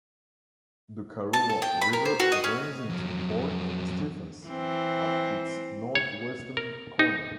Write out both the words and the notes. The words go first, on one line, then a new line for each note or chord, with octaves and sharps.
The Karuah River drains into Port Stephens at its north-western corner.
A5
A4
G5
B5
A#4
C5
F#4
D#5
C#4
F2 F#3
E3 C4
C#5
A#4
D#4